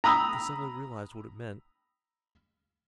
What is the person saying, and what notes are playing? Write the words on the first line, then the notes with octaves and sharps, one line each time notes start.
They suddenly realized what it meant.
A#5 B5 D#6 E6